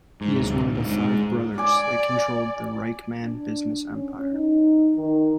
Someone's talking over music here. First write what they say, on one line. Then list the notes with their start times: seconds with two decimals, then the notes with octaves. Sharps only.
He is one of the five brothers that controlled the Reichmann business empire.
0.21 G#2
0.34 D1
0.73 D#1
0.86 G#2
1.58 D5 G#5 D6
3.22 D4
3.94 C#4
4.32 D#4
4.96 D#3